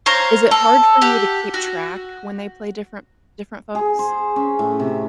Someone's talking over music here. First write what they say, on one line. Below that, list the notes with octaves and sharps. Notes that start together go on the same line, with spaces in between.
Is it hard for you to keep track when they play different different folks?
C5 C#5 F5 A#5
A4
G4 F#5
F#4
G#4
C5
C#4
A2
C3